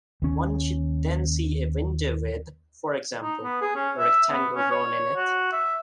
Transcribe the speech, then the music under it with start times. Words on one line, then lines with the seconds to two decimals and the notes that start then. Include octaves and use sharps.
One should then see a window with, for example, a rectangle drawn in it.
0.22 D#2 C#4
3.22 D#4
3.44 B3
3.61 G#4
3.75 C#4
3.98 E5
4.30 B3
4.56 C#4
4.71 C#5
5.16 F#4
5.52 E5